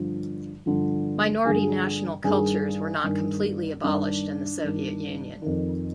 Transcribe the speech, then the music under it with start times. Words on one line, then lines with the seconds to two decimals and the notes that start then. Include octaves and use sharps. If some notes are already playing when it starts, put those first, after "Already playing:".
Minority national cultures were not completely abolished in the Soviet Union.
Already playing: G2 D3 F3
0.66 G2 D3 F3
1.45 G2 D3 F3 G#4
2.24 G2 D#3 G#4
3.04 G2 D#3
3.84 G2 D#3 D4
4.63 G2 D#3
5.42 F2 D#3